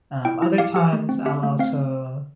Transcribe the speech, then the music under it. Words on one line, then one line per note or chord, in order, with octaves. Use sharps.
Um, other times I'll also,
E4 G5
E4
G4 F5
G4
A3
C4
G4 E5
A3
C4 F5